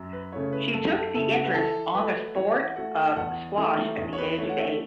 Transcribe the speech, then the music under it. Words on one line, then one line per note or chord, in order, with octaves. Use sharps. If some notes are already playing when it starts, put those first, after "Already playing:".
She took the interest on the sport of squash at the age of eight.
Already playing: F#2
B4
C#3 A3 E4 C#5
B4
F#2 A4
A4
C#3 A3 E4 A4
F#4
B4
E3 A4
A3 F#4 A4 B4
E3 C#5
F#5
A3 F#4 A4 F#5
A5
E2 F#5
E3 A3
E2
C#5
B4
E3 A3 C#5
F#5
E5